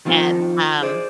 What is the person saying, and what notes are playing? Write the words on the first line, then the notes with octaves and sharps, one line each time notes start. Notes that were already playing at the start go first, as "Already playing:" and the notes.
And, um,
D#3 F3 B3 C4 F4 A4
G#4 C5 D5